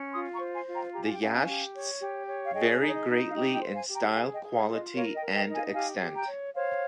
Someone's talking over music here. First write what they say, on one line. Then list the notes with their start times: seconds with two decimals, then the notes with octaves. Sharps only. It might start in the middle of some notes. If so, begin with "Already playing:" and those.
The "Yasht"s vary greatly in style, quality and extent.
Already playing: C#4
0.13 F4 C6 D#6
0.34 A#5 C#6
0.40 C5
0.54 G#5 C6
0.67 F4
0.74 G5 A#5
0.94 G4 A#5
1.03 G#5
1.12 G5
1.20 C#4 F5 G#5
1.47 G4
1.74 C#5
2.01 G4
2.28 C#5
2.44 F5
2.54 G#4 D#5 G5
2.80 D#4
2.89 C#5
2.94 D#5
3.07 D#4
3.29 F5
3.35 G4 D#5
3.54 D#5 G5
3.61 C5
3.74 F5 G#5
3.88 G4
3.94 G5 A#5
4.14 G#4 F5 G#5
4.34 D#5 G5
4.41 G#4
4.54 C#5 F5
4.67 F4
4.74 D#5
4.94 A#4 C#5 F5
5.15 D#5 G5
5.21 A#4
5.35 D#5 G5
5.48 D#4
5.54 F5 G#5
5.74 G4 F5 G#5
6.01 G4
6.15 G5 A#5
6.28 C#5
6.55 C5 C#5 F5